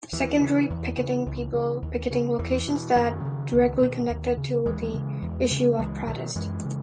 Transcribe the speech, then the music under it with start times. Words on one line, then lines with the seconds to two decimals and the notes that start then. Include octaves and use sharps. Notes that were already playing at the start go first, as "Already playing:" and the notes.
Secondary picketing people picketing locations that directly connected to the issue of protest.
0.12 D#2 E3
0.40 C#3
0.70 E2
0.97 C#3
1.26 C#2
1.54 C#3
1.82 D#2
2.11 C#3
2.39 E2 E3
2.68 B2
2.96 F#2 D#3 F#3
3.25 C#3
3.53 C#2
3.81 B2
4.09 D#2
4.37 C#3
4.66 D#2 E3 G#3
4.94 C#3
5.22 E2
5.51 C#3
5.79 C#2 E3 G#3
6.07 B2 D#3 F#3
6.35 F#2 E3 G#3
6.64 C#3